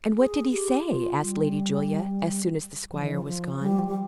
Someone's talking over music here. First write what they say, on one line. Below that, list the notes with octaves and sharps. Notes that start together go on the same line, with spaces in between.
"And what did he say?" asked Lady Julia, as soon as the squire was gone.
G#4
G4
F4
G3
F3
D#3
F3
F3
G3
F3
G3